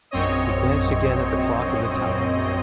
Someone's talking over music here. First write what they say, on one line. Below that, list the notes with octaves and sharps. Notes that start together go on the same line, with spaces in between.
He glanced again at the clock in the tower.
A#1 F#2 C4 C#5 D#5